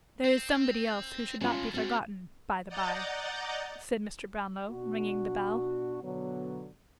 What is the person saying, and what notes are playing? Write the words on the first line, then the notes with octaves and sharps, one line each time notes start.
'There is somebody else who should not be forgotten, by the bye,' said Mr. Brownlow, ringing the bell.
C4
A2 D#3 C#4 F4
G3 G#3 C4 F#4
D5 D#5 F#5 A#5 G6 A6
B2 D4 F#4
B2 D3 F#3 B3